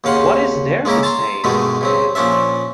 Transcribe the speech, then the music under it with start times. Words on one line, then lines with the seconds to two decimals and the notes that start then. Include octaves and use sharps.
What Is There to Say?
0.04 D#2 C#3 F5 F#5 C6
0.85 G#3 A#3 C#4 E4 A#4
1.03 A5 A#5 C6
1.44 G2 B2 D3 D#3 G#3 A3
1.81 G2 C#3 C4
2.15 A#2 F3 C#4 D4 E5